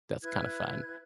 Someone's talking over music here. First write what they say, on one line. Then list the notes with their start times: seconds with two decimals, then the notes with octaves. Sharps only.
that's kind of fun
0.22 E4 B4 F#6 G#6